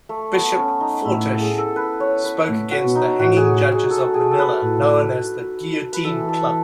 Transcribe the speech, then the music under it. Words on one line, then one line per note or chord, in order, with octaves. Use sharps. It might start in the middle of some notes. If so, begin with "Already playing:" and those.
Bishop Fortich spoke against the hanging judges of Manila known as the Guillotine Club.
A3
B3
C#4
D#4
A2 E4
A4
G#4
A4
B4
C#5
B4
A2
F#4
B2
D#4
A2 F#4
G#4
G#4
G#4
A4
G#4
A4
B4
A2
B4
E3 A4
A4